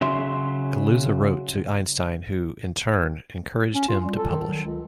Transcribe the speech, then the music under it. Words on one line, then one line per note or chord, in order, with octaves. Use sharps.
Kaluza wrote to Einstein who, in turn, encouraged him to publish.
C#3 F#3 E5 C6
C#4
F4
G3
A4
D#3
F#3
C#2